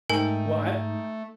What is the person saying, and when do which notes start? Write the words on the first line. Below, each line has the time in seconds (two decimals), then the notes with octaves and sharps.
Well, I've
0.10 G#2 A3 D#4 A#4 G5 G#5